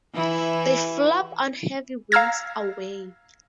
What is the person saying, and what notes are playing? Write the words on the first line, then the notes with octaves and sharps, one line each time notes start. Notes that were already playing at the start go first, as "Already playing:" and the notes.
They flop on heavy wings away.
E3 E4
F5 A#5 E6 F6 G#6 A#6